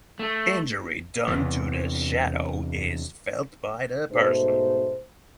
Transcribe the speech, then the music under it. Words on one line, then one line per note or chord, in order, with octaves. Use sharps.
Injury done to the shadow is felt by the person.
A3
E2 C3 E3
G#2 B2 A3 D#4 C5